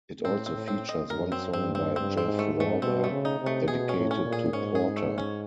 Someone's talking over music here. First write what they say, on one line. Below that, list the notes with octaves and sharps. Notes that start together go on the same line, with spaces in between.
It also features one song by Jeff Lorber dedicated to Porter.
A2 C4
C4
A2
C4
D#5
F#2 A#4
C4
G2 C4
C4
G2 C4
C4
G#2
A3
G#2
A3
B2 C4
A3
C#3
D#4
C3
A3
B2 G#4
C#4
A2
C#4
A#2
G#4
G#2 C#4
G#4
A3
C#4